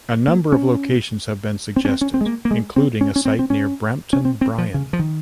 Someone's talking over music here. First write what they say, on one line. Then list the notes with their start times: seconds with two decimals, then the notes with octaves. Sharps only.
A number of locations have been suggested, including a site near Brampton Bryan.
0.28 A#3
0.52 C#4
1.76 C4
1.85 C#4
1.89 C4
2.01 C#4
2.14 C4
2.21 G#3
2.26 A#3
2.45 A#3
2.51 G#3
2.76 C4
3.01 C#4
3.16 C#4
3.25 C4
3.39 C4
3.50 C#4
4.13 C#4
4.25 C4
4.41 C4
4.58 F3
4.74 C#3
4.93 F3
4.99 D#3